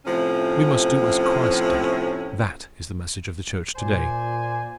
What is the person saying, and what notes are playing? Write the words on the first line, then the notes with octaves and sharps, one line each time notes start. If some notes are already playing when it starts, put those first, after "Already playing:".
We must do as Christ did; that is the message of the Church today.
A2 C3 F3 C#4
A#2 C5 D5 G#5